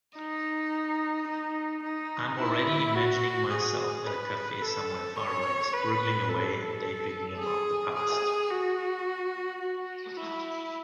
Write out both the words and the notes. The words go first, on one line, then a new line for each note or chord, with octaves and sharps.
I am already imagining myself at a cafe somewhere far away, scribbling away and daydreaming about the past.
D#4
D#4
D#4
E4
F#4
G#4
B4
A4
C#5
B4
A4
G#4
G#4
F#4
F#4
E4